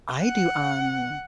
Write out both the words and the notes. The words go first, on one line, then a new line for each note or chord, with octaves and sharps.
I do, um
F#5